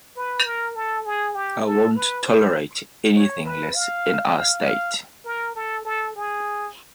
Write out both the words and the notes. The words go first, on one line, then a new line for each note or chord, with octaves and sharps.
I won't tolerate anything less in our state.
B4
A#4
A4
G#4
G4
A4
B4
C5
C#5
B4
F5
F5
F5
A#4
A4
A4
G#4